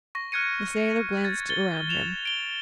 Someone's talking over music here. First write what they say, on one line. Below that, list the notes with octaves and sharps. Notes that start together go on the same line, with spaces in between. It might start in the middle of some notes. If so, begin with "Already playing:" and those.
The sailor glanced around him.
C#6 A#6
F6 F#6 G#6 C#7 D#7
G#6 A6
A6 G7
E7 F7 G7
D7 G7